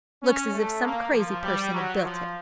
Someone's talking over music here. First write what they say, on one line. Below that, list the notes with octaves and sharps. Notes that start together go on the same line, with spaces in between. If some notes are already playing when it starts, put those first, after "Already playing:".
Looks as if some crazy person had built it.
C#4
A3
A#3
F3
G3
F#3
F3